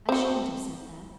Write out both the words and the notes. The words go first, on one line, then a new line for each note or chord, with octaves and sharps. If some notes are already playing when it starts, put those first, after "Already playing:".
I shouldn't have said that.
C4 F#4